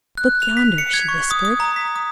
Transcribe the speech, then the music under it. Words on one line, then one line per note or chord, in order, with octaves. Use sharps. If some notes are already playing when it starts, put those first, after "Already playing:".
"Look yonder," she whispered.
F#6
F7
B6
C#7
G#6
C#6
D#6
D#6
A#5
B6
D#6